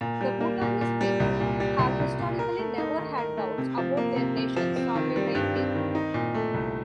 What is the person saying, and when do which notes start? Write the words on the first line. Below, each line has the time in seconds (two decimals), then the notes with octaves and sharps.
The Bhutanese people have historically never had doubts about their nation's sovereignty.
0.01 A#2
0.21 G3
0.41 A#3
0.61 A#2
0.81 A#2
1.01 G3
1.20 C2
1.40 A#2
1.60 G3
1.79 C2
1.99 C2
2.19 A#2
2.39 A#4
2.59 A3
2.78 D#4
2.98 D#3
3.18 A#4
3.37 A3
3.58 C3
3.78 F3
3.97 A#3
4.16 C3
4.37 C3
4.56 F3
4.76 C4
4.95 D#3
5.16 G3
5.35 G2
5.56 C4
5.75 D#3
5.95 D#4
6.14 A#2
6.34 A3
6.54 C2